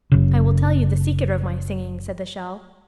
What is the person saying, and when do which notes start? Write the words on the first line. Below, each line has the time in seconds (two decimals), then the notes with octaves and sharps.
"I will tell you the secret of my singing," said the shell.
0.12 F#1 C#3